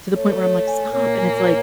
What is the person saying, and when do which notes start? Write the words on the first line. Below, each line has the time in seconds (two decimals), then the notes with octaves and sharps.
to the point where I'm, like, "Stop." And it's, like,
0.16 A3 C#5
0.42 C#5
0.67 G#5
0.93 A#2 A#3 C#5
1.19 G#5
1.45 C#5